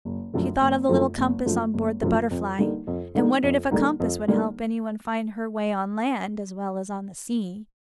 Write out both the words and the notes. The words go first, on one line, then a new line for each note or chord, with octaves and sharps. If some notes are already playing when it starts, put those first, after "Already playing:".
She thought of the little compass on board the Butterfly, and wondered if a compass would help anyone find her way on land as well as on the sea.
F#1
F#2 D3 F3 A3
F#1
F#2 D3 F3 A3
F#1
F#2 D3 F3 A3
F#1
F#2 D3 F3 A3
F2
D3 G3 A#3 D#4
F2
D3 G3 A#3 D#4
F2
D3 G3 A#3 D#4
F2
D3 G3 A#3 D#4